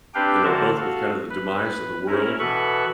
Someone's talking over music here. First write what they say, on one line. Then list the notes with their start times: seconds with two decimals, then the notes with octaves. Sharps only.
you know, both with kind of the demise of the world,
0.15 C4 D4 G4 B4 F5 G5
0.44 D3 E3 F#4 A#4 C5 A5
0.78 F#4 A4 F5
1.30 B4
2.07 C#4 E4 A#4
2.39 B2 E3 A4 B4 B5 C#6